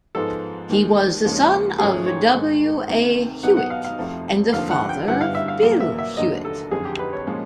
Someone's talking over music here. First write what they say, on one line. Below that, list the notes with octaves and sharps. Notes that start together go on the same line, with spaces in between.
He was the son of W. A. Hewitt, and the father of Bill Hewitt.
G#2 F3 G#3 B3 A4
D#2 D#3 G#3
D#2 C#3 F3 G#3 C#4
G#2 D#3 F#3 A3 C#4 G#4
C#5
G#2 D#3 G#3
D2 C3 D#3
B2 F#3 B3 D#4 F#5
F#5
F5
F5
F2 C3 F3 A3 C4
F1 D#2 D3 F3 F5
F#5
G5
G2 D3 G3 B3 E4 F#5
F5
E5
F5
A#1 A#2 F#3 A#3 F5
E5
E5
F1 D#2 D3 F#3 D#5
A4
F#1 F2 D3 G#4
G4
B4
C#5
A#2 F3 G#3 C#4